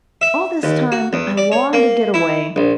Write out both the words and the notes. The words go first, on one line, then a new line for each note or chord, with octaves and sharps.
All this time I longed to get away.
E5
D#2
F#4
E2
D5
C#5
A#3
E4
A#1